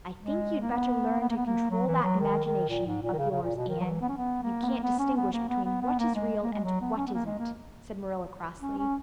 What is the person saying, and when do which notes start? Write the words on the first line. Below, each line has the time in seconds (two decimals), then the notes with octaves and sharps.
"I think you'd better learn to control that imagination of yours, Anne, if you can't distinguish between what is real and what isn't," said Marilla crossly.
0.21 G#3
0.61 A#3
0.71 B3
1.21 B3
1.29 A#3
1.36 B3
1.46 A#3
1.71 F#3
1.87 E3
2.02 F#3
2.20 D#3
2.44 D#3
2.69 A#2
2.86 G#2
3.02 A#2
3.13 D#3
3.18 C#3
3.31 C#3
3.43 A#2
3.56 B2
3.68 D#3
3.80 F#3
3.84 E3
4.01 B3
4.09 C#4
4.17 B3
4.42 A#3
4.63 B3
4.66 A#3
4.83 B3
4.99 C#4
5.16 B3
5.33 A#3
5.49 B3
5.65 B3
5.82 B3
5.98 A#3
6.15 G#3
6.43 A#3
6.53 G#3
6.64 F#3
6.81 B3
6.96 C#4
7.07 B3
7.14 A#3
7.25 G#3
7.39 A#3
8.61 C#4
8.78 C#4